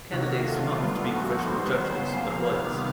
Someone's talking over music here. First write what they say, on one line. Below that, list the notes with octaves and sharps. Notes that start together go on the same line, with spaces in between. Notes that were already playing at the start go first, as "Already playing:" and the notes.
Candidates do not have to be professional judges, but lawyers.
C3 D#3 F#3 A#3 F#4
D#3 F#3 A3 F4
D3 G3 B3
A#2 F3 A3 F#4
D#3 G3 B3 C5
C#3 F#3 B3
A#2 F3 A#3 F5
C3 D#3 G3 B3